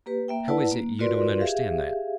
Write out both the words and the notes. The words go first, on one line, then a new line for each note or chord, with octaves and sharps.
How is it you don't understand that?
A#3 G4 B4
A#3 E5 G5
E4 B4 D5 F#5 A5
A#3
F4 F#4 A#4 B4 D5 C6
G4 G#4 E5 F5